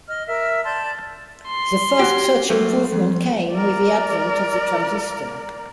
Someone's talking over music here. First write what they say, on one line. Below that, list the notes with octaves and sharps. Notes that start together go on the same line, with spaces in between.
The first such improvement came with the advent of the transistor.
D#5 F6
A#4 E5 E6 F6
D5 A5 C6 G6
C6
C#4 F#4 G4
F#3 A3 A#3
F2
A#4 D5